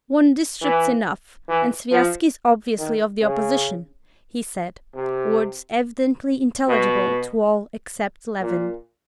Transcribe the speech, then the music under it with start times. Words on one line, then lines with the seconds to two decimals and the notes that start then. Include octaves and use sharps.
"One district's enough, and Sviazhsky's obviously of the opposition," he said, words evidently intelligible to all except Levin.
0.61 E3
1.48 E3
1.91 F3
2.78 D#3
3.21 C#3
4.94 C3
6.68 B2
8.41 A#2